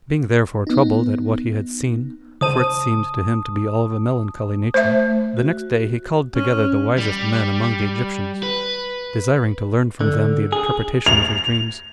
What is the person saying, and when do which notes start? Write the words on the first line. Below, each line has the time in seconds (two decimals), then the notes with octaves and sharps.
Being therefore troubled at what he had seen, for it seemed to him to be all of a melancholy nature, the next day he called together the wisest men among the Egyptians, desiring to learn from them the interpretation of his dreams.
0.67 B3 D#4
2.41 C#3 C5 A5 D#6 D#7
4.74 A3 C5 E5
5.37 F#4
6.35 C#4
6.98 G3
8.43 B4
10.01 D3
10.52 G#4
11.06 F7